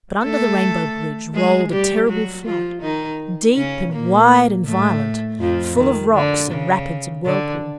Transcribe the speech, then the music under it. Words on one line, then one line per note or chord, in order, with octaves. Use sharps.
But under the Rainbow Bridge rolled a terrible flood, deep and wide and violent, full of rocks and rapids and whirlpools.
A3 A4
G#3 G#4
G3 G4
F#3 F#4
F3 F4
D#3 D#4
C#3 C#4
A#2 A#3
A2 A3
F2 F3
D#3
D3
C#3
D3